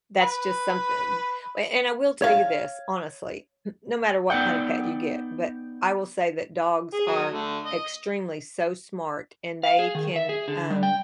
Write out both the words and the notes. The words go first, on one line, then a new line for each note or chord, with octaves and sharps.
that's just something, a and I will tell you this honestly, n no matter what kinda pet you get but I will say that dogs are extremely so smart, and they can, um
B4
C#5 F5
B3 D#4 D5 F#5 G5
G#4
F#3 D#6
D3 A3
D#5
F5
G#4
D#3
E5
G#4
D3
G3
G5